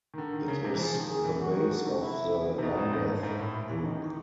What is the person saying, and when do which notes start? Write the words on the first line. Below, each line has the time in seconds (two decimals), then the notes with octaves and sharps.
It is the base of the Lambeth Group.
0.14 D#3
0.18 D3 A#4
0.33 D#3
0.48 C#3
0.64 C3
0.74 E3
0.79 F3 G#4
0.94 D#3
1.10 D#3 G#4
1.24 E3
1.41 E3 F#4
1.55 D#3
1.71 D3
1.86 C3
2.01 E4
2.58 C3
2.62 B2 D#4
2.77 A2
2.93 G#2
3.08 G2
3.23 G#2 E4
3.39 A2
3.54 A#2
3.69 E3
3.84 D#3 D#4
4.00 D#3